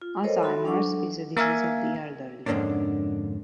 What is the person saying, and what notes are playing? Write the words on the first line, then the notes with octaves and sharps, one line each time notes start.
Alzheimer's is a disease of the elderly.
F4
A4 A#4 C5 C#5 D#5
F#4 A4 E5 B5 C6
F#3 D4 A4 F#5 C#6 D6
A#3 A#4 E5 F5 G#5
F2 G#2 D3 A#3 C#4 D4